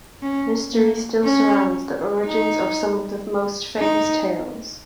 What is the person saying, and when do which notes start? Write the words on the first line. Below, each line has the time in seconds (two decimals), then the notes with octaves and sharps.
Mystery still surrounds the origins of some of the most famous tales.
0.22 C#4
0.73 A#3
1.24 C#4
2.25 D#4
3.78 D#4